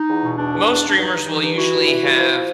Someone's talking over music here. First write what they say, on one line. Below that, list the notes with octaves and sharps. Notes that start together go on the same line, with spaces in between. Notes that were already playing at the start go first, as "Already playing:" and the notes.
Most streamers will usually have
Already playing: D#4
E2
B2
E2 D4
E2
E2
E2
D4
G2 D#4
G2
E3
G2
E3 E4 F#4
G2
E3
G2
F3
F3